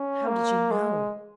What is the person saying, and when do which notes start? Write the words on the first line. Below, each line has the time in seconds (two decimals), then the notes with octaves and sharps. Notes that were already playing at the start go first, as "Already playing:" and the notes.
"How did you know?"
Already playing: C#4
0.27 A#3
0.71 G#3